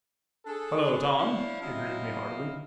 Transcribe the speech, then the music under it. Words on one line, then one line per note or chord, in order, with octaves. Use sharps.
"Hello, Tom," he greeted me heartily.
D4 G#4 A4
F3 D4 E4 C#5 F5
C3 F#3 E4 D#5 F5